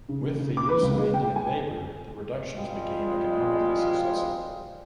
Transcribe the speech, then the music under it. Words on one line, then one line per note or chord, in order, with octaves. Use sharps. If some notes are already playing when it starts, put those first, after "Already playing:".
With the use of Indian labour, the reductions became economically successful.
C#3
C#3
D6
B4
C#2
G#3
G5
G#5
G#1 F3 G3 G#3 F4